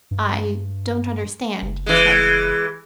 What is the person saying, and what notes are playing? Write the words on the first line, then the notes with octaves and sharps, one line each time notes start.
"I don't understand," he said.
G2
F#1
E3 G#3